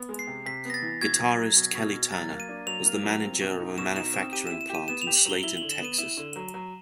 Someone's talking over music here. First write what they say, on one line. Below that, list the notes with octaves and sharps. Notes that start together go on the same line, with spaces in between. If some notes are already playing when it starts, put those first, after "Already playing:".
Guitarist Kelly Turner was the manager of a manufacturing plant in Slaton, Texas.
Already playing: B3
G#3
C7
C3
C3 B6
B3 A#6
A6
E3
B2 G#6
F#3
F#3
B2
B2
B2
F#3 A6
A#3
D#7
D4
F#3 F7
A#3
F#3
C4
B2
D#4
B2 E7
D#4 E7
C4 E7
G4 D#7
E7
E4
E7
G4
D#7
B3 E7
F7
G4
F#7
F#3 G7
E4 G7
F#7
D3
E7
B3 D#7
E4 E7
D3
F#3
F#3